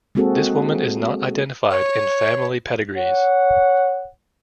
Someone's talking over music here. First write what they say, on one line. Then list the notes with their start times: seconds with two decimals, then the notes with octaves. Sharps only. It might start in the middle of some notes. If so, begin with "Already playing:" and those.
This woman is not identified in family pedigrees.
0.15 G#3 A#3 C4 F#4 G#4 A4
1.70 C#5
2.97 C#5 F#5